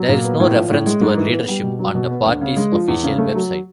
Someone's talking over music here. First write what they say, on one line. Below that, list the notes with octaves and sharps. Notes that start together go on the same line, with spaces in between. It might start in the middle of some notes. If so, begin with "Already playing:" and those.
There is no reference to her leadership on the party's official website.
Already playing: F#3
A#2
B3
A2
F3
A2
G#3
G#2
E3
B3
G3
B2
F#3
B2
B3
D2
C#3
G#3
F3
E2
C#3
A3
F#3